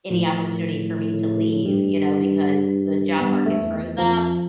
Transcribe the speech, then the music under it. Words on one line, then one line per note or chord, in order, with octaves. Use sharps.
any opportunity for me to leave, you know, because the job market froze up.
A2 F3
G2 G3
G2 B3
A3
E2
F2 F3